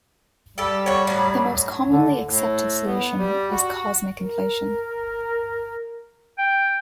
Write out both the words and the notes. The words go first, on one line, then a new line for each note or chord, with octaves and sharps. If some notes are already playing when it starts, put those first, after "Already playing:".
The most commonly accepted solution is cosmic inflation.
G3 G4 A4
F#4 C#5
A2 F#3
D3
A2
B3
G3
F#4
A#4
G5